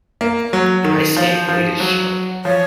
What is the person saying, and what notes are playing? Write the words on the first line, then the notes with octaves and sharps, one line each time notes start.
An ice skate blade is sharp.
A#3
F#3
D#3
F3 C5 C#5
F3
F#3
F3 C#5